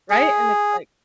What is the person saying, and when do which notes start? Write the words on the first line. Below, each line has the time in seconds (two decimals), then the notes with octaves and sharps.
Right? And it's like
0.10 G#4